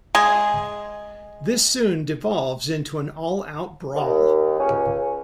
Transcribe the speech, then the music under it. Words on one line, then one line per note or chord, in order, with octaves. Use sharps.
This soon devolves into an all-out brawl.
G#3 G#4
D#2
C#2 C#4